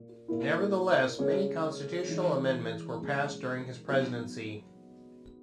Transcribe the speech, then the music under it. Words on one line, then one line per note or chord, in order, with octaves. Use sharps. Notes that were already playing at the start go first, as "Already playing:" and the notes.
Nevertheless, many constitutional amendments were passed during his presidency.
Already playing: A#2 A#3
A#2 A#3 E4
C#3 G#3 C#4 G#4 C#5
E3 G#3 D#4
A#2 G#3 C#4
F#3 B3 D#4